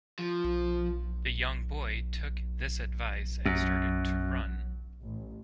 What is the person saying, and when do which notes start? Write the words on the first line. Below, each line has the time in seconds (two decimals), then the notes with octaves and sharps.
The young boy took this advice and started to run.
0.19 F3
3.45 F#2
5.02 A1